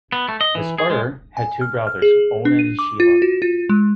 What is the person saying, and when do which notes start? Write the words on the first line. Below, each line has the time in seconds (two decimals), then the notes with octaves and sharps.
This Er had two brothers, Onan and Shelah.
0.12 B3
0.29 A3
0.41 D#5
0.55 E3
0.78 G#4
0.90 G#3
1.37 G#5
1.61 F6
1.87 F6
2.02 G#4
2.45 D4
2.59 D#7
2.79 D6
3.00 F4
3.22 F#4
3.42 F4
3.69 G#3